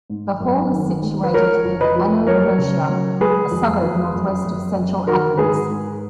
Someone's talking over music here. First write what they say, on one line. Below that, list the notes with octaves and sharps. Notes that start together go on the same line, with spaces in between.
The hall is situated in Ano Liosia, a suburb northwest of central Athens.
G#2
F#2
D#3
G#3
B4
F3 A#4 C#5
F2
B4 D#5
F3
F#3 A#4 C#5
C#3
F#3
G#3 G#4 B4
F2
F2
F#2
F#2
F#2
D#3 F#4 A#4
G#2 G#4 B4
G#2